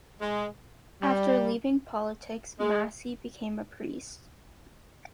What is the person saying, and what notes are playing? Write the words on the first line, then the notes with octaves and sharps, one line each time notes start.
After leaving politics, Massey became a priest.
G#3
G3
G#3